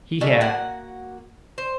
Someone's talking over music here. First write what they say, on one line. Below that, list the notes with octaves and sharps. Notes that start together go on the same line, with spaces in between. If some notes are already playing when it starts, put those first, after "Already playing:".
He had.
G3 G#3 F#4 A4
A#3 F#4 F#5
C5